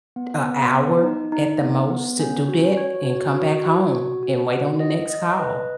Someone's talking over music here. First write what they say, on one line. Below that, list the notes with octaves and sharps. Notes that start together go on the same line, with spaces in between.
a hour at the most to do that, and come back home, and wait on the next call.
B3
B3
B3
D#4
D#4
B3
B3
C#4
F#4
C#5
F#4
F#4
F#4
F#4
F#4
F#5
D#5
D#5
B4